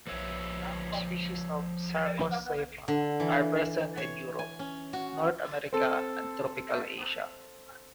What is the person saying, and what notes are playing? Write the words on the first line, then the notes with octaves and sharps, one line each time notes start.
Species of "Sarcoscypha" are present in Europe, North America and tropical Asia.
F3 B4 C#5 E5
D3
E3
C#5
G#5
C#4
F#4
C4 A4